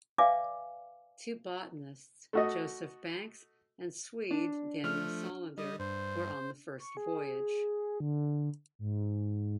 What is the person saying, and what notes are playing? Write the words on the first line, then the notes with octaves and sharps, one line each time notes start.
Two botanists, Joseph Banks and Swede Daniel Solander, were on the first voyage.
B4 D5 E5 F5 G#5 D6
A3 F#4 D#5
D4
F3 A3 F6
G3 D#5
G2 C5
C#6
G#4
D3
G#2